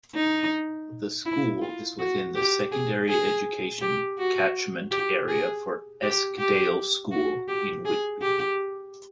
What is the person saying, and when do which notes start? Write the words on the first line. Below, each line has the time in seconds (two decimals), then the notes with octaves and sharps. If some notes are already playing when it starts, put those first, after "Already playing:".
The school is within the Secondary Education catchment area for Eskdale School in Whitby.
0.15 D#4
1.26 E4
1.62 F4
1.99 F#4
2.35 G4
2.72 G#4
3.09 G#4
3.81 G4
4.18 F#4
4.91 G4
5.29 G#4
6.02 G4
6.38 G4
7.12 F#4
7.48 G4
7.85 G#4
8.22 G4